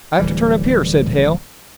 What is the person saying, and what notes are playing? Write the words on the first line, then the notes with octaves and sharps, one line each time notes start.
"I have to turn up here," said Hale.
D1 E3 G3